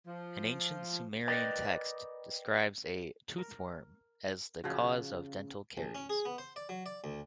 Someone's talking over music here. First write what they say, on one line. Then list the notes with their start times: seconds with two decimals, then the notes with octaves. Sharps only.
An ancient Sumerian text describes a "tooth worm" as the cause of dental caries.
0.07 F3
1.27 A#4 B4 D5 D#5 G5
3.38 A#4
4.64 C#3 F3 F#4
5.77 A#1
5.95 C#4
6.10 G#4
6.25 B3
6.38 C5
6.56 D5
6.69 F#3
6.86 D5
7.04 D2